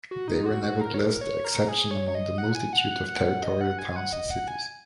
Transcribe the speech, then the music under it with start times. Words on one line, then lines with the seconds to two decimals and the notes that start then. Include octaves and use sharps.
They were nevertheless the exception among the multitude of territorial towns and cities.
0.11 F#4
0.28 D#4
0.46 F#4
0.63 F#4
0.81 A#4
0.94 C#5
0.98 A#4
1.21 C#5
1.45 A#4
1.68 G#4
1.91 C#5
2.08 C#5
2.15 D#5
2.38 F#5
2.55 G#5
2.73 F#5
2.90 F#5
3.08 F#5
3.26 F#5
3.43 D#5
3.61 F#5
3.79 G#5
3.96 F#5
4.13 D#5
4.30 F#5
4.48 G#5